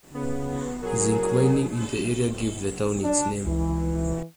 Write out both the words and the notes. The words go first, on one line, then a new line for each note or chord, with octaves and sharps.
Zinc mining in the area gave the town its name.
C#3 B3
F#3 G#4 A#4
D4
C#2 E3